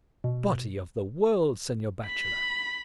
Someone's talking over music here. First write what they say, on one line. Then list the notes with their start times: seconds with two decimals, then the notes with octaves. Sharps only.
Body of the world, senor bachelor!
0.24 B2
2.06 B5